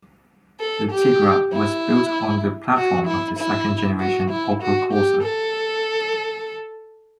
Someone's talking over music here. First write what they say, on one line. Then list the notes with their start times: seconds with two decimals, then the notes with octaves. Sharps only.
The Tigra was built on the platform of the second generation Opel Corsa.
0.60 A4
0.91 G4
1.53 E4
2.77 F#4
3.07 E4
3.38 E4
4.00 F#4
4.30 E4
4.62 F#4
4.93 G4
5.24 A4